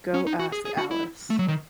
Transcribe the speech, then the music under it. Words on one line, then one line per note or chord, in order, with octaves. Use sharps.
Go Ask Alice!
C#4
D#4
F#4
G#4
G#4
F#4
E4
A3
F#3
D#3